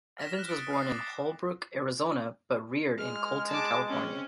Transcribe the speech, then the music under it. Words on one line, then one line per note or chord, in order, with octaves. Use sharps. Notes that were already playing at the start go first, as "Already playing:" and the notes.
Evans was born in Holbrook, Arizona, but reared in Colton, California.
F6 A#6 B6 E7
F6 F#6
D#6 A6 C#7 D7
F6 C7
D6 A6
G#3 F6
A5 D6
C4 C#4